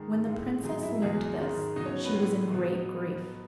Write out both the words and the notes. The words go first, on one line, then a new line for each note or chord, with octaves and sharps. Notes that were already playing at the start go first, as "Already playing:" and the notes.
When the princess learnt this she was in great grief.
Already playing: G#2 D#3 G#3 G#4
A2 G#3
G#2 F#3 G#3 G#4
E4 E5
E2 B2 F#3 G#3 G#4
G#2 D#3 G#3
B2 F#3 D#4 D#5
C#4 C#5
B3 B4
A2 G#3
B2 F#3